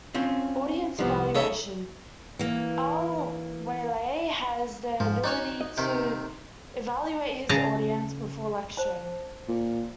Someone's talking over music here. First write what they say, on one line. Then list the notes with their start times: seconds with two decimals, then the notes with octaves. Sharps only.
Audience Evaluation: Al-Waeli has the ability to evaluate his audience before lecturing.
0.15 C4 C#4 F4
0.99 C2 F3 B3
1.35 C#3 D#4 A4 C#5 E5
2.39 E3 A#3
5.00 G#2 F3
5.24 D#4 F#4 C#5 D5
5.61 D#5
5.78 C3 D#3
7.49 C#3 G#4 A5 A#5
8.77 C5 A5
9.48 A#2